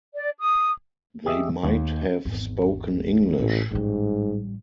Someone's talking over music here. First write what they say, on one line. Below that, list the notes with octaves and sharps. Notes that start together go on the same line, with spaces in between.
They might have spoken English.
D5
D#6
G4 G#4 D#5 E5
D#2
G#1 E2
A1 A2
A1 G#2 G3